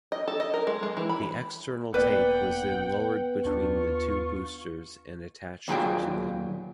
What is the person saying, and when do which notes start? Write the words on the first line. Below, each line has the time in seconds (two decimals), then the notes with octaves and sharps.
The External Tank was then lowered between the two boosters and attached to them.
0.12 D#5
0.28 A4
0.40 D#5
0.54 A#4
0.67 G#3
0.83 G#3
0.97 E3
1.09 B5
1.94 E1 A#3 B3 B4 D5 F#5 G5
3.45 D#2 D4 F4 C#6
5.68 D#2 A#2 F#3 G#4 G5